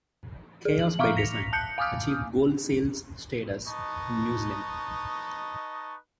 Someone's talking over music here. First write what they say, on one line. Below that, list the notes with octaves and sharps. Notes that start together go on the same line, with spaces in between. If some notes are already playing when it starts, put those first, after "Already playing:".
"Chaos by Design" achieved Gold sales status in New Zealand.
G#4
F#7
E5 F5 A#5 C#6 D6 F6
A#6 B6 C#7 F7
A5 F#6 G6 C#7
F5 G#5 D6 D#6 F6 G6
D#4 B4 D#5 A5 C#6